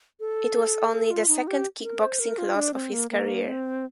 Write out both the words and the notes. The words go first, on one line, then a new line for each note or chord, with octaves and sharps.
It was only the second kickboxing loss of his career.
A4
A4
F4
D#4
G4
A#4
C5
A#4
F4
D4
C4
A#3
A#3
C4